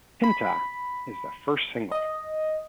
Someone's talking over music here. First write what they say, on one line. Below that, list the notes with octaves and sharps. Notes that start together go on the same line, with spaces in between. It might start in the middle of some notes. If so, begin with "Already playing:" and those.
"Pinta" is the first single.
B5
D#5